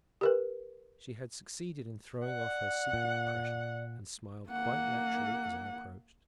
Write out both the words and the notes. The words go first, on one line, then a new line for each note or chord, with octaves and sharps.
She had succeeded in throwing off her secret depression and smiled quite naturally as I approached.
G4 A#4 B4
D5 F#5
A#2
A#3 F#5